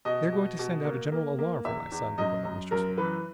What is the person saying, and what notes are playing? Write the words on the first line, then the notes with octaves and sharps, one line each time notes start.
"They are going to send out a general alarm for my son," bewailed Mr. Swift.
B2 D#5
B2
B2
A#3
A#3
A#3
E2 E5
E2
F#2 D#5
F#2
F#2 A#4
E3 B4